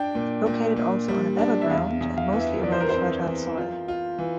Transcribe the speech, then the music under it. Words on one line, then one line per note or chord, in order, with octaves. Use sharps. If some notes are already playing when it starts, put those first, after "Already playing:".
Located also on a battleground and mostly around fertile soil.
Already playing: D4 G5
A#2
A#2
A#2
G3
D4
E5
E2 F5
E2
F5
E3
E5
E3 D5
C5
A#4
C5
C4
E3
F4
F4
E3